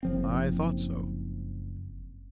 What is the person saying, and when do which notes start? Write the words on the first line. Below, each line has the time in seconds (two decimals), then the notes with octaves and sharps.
'I thought so.
0.03 F#1 F3 C4